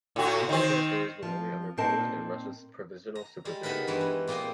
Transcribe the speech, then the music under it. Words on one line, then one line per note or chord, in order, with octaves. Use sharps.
Eastern territories were only under Poland and Russia’s provisional supervision.
A2 F#4
D#3 C4
F3 C4
A#2 C4 D#4 A#4 A5
A#5
G3 G#3
B3 D#4 E4 A#4 B4
G2 E3 G#3
G#3
A#2 A#3 C4 D#5 G5